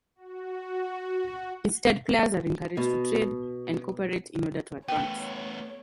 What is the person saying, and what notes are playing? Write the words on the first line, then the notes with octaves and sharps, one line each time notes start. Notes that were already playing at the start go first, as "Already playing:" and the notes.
Instead, players are encouraged to trade and cooperate in order to advance.
F#4
B2
A3 B3 C#5 G5